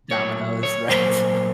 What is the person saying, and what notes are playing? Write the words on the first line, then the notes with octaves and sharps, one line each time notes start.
Domino's, right?
A#2 F#3 A#3 C#5
C#5
A#2 F#3 A#3 C5